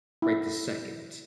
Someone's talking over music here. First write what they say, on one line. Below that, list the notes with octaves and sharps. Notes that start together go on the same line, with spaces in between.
right this second,
E4